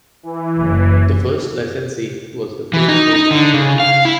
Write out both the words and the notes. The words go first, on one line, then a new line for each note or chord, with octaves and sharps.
The first licensee was the First State Bank of Vida.
E3
F#1
E3
D#4
D#4
D3
C#3
F5
E4